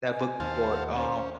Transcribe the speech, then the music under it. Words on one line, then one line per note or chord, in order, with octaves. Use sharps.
that book before, um
G#5
D#2 C5 F5 A5
F#5
C#4 C5